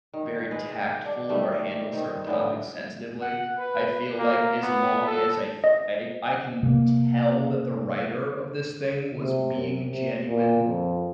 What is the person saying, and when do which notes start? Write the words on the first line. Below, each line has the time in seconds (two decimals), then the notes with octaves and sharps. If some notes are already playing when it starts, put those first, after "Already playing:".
very tactful or handle certain topics sensitively, I feel like as long as I f I I can tell that the writer of this thing was being genuine
0.14 D#3
0.51 G#3 B4
1.05 D4
1.29 D#3 G3 A3
1.93 D#3 C4
2.27 A2 D3 E3 B3
3.21 F#5
3.58 B4
4.18 A#3
4.62 B3
5.06 A4
5.64 D#5
6.63 C3 A#3
9.20 C3
9.55 F#2
9.87 C3
10.26 A#2
10.65 F2